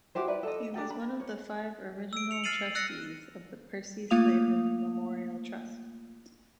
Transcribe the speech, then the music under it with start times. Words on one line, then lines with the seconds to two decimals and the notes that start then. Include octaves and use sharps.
He was one of the five original Trustees of the Percy Sladen Memorial Trust.
0.15 E4 F#4 G4 C5
0.28 E4 B4 D5
0.43 A4 D#5
0.74 D4 G4 A4 G5
0.90 B5
1.20 C#5
2.13 E6 D7
2.31 C#7 F7
2.44 F6 A6 C7 D#7 F#7
2.75 E6 F#6 A6 A#6 C#7
4.10 A3 A#3 F4 F5 D#6 F7